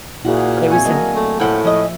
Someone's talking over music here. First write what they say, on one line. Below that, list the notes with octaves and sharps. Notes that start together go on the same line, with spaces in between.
But it was in
A#2 E4 F#4 G#4 F#5
C3 G#5 C#6
D3 F#3 A#3 A#4 D#5
A3
A2 F3 E4 F#5 G5
F3 C#4 D#5